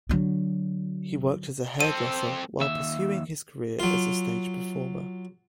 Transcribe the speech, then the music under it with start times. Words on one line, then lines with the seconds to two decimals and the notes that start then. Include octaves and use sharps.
He worked as a hairdresser while pursuing his career as a stage performer.
0.09 D3 F#3
1.81 C4 A4 C5 D#7
2.60 D#2 E5
3.80 F#3 F4